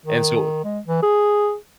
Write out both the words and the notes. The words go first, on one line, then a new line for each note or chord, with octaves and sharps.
and so
D#3
G#3
E3
G#4